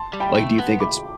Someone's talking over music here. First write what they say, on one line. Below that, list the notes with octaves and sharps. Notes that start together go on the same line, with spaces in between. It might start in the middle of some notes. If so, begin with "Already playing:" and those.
Like, do you think it's
Already playing: A5 C6
G3
G5 B5
A3
B3
B5 D6